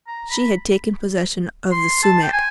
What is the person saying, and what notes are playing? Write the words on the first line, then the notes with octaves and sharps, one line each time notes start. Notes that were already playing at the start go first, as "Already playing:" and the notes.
She had taken possession of the sumac.
A#5
B5
C6
A5
G5
G#5